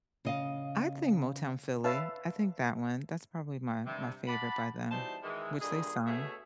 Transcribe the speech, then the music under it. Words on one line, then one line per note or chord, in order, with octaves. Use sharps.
I think Motown Philly. I think that one. That's probably my my favorite by them, which they sung.
C#3 D#5 F5
B4 C#5 E5 F5 A5
G2 C3
D5 F#5 A5 B5
B2 E3 G3 D#4 C5 A5
D#3 E3 G#3
G2 A#2 D3 G#4
B2 A3 G#4 C#5 E5